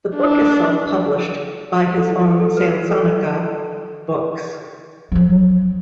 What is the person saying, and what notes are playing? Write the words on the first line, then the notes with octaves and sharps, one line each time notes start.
The book is self-published by his own Sansonica Books.
D4
A4
A4
B4
A4
F3 F#3